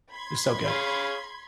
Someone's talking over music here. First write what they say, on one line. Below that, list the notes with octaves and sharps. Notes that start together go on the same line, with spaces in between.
It was so good.
B5 C6 G#6
G#4 C#5 F5